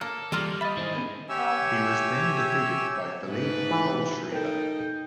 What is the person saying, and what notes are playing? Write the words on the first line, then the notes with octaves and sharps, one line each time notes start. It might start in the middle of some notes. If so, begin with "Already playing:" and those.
He was then defeated by Philipp Kohlschreiber.
A#3 A4
E3 G3 A#3 F4 A4
D#5 E5 B5 A6
D#3 E4 G#4 C5 D#5
G4 C#5 E5 G#5 E6
G#2 A3 B4
E3
D#4 A4 A#4 G5